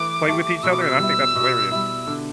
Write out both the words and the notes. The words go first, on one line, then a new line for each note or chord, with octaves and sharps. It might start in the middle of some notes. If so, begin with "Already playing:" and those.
play with each other, and I think that's hilarious.
Already playing: E3 A3 D6
A3 G4
B2 E6
D6
E6
G3 E4
B2
G3 E4
D3